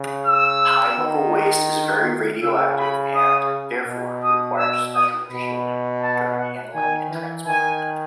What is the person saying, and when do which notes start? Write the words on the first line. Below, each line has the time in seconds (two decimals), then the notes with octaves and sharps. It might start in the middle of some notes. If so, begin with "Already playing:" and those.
High-level waste is very radioactive and, therefore, requires special shielding during handling and transport.
Already playing: C#3
0.27 E6
0.99 D#3
2.43 C#3 E6
2.78 B5
3.15 D#6
3.87 B2
4.23 D#6
4.58 E6
4.95 D#6
5.31 B2 B5
6.02 A5
6.38 F#5
6.75 D#3 G#5
7.11 E3
7.47 D#3 G#5